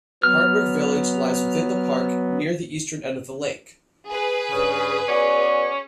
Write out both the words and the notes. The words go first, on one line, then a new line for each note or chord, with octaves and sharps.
Hardwick Village lies within the park, near the eastern end of the lake.
F#3 B3 F6
G#4 B4
G2 C#3
B3 C#4 F#4 D5